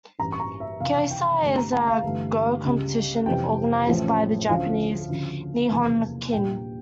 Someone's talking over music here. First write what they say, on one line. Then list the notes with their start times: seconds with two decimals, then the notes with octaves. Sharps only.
Kisei is a Go competition organised by the Japanese Nihon Ki-in.
0.19 A1 G2 E3 A#5
0.32 C#6
0.40 A#5
0.60 E5
0.80 F1 F2 C#3 E3 F5
1.11 G5
1.42 G1 G2 D3 A3
1.57 A#5
1.72 A5
1.88 F5
2.03 G1 G2 E3 A3
2.64 C#2 C#3 G3
3.26 F1 F2 E3 G3 G5
3.87 A1 A2 F3 A3 C#4
4.49 D2 D3 F3 C#4 F5
5.10 D2 C#3 F3
5.71 F1 E2 C#3 E3 A#3
6.33 A#1 A#2 G3 G5